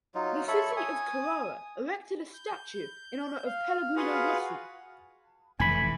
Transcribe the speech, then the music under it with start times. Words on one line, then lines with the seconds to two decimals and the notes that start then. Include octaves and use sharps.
The city of Carrara erected a statue in honour of Pellegrino Rossi.
0.15 F#3 D#4 F4
0.48 A4 C#5 E5 B5
0.77 G#5 D#6
2.34 G6
3.45 F5
3.96 F4 F#4 G#4 B4 F5 F#5
5.60 F1 A2 E3 G#5 B5